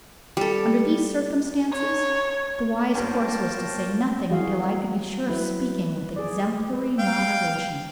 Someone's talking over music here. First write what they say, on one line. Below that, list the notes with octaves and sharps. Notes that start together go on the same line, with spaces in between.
Under these circumstances, the wise course was to say nothing, until I could be sure of speaking with exemplary moderation.
G3 A4
C#5
G2 A#3 F4 A#4 C5 C#5 G5 A5
E3 F#3 G3 F#4 G#4 F5
F#3 E4 B4
G#4 D5
B4
F5 G5